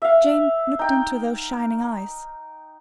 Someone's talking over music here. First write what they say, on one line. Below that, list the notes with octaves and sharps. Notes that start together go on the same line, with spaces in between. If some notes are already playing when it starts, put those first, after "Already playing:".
Jane looked into those shining eyes.
E5 F5
D#4 G5